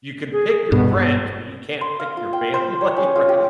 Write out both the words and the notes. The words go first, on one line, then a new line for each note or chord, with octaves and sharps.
you can pick your friends, but you can't pick your family, right?
G#4
G2 B2 B3
C6
F5
F4
G5
C5
C#5
C#4
F4
G4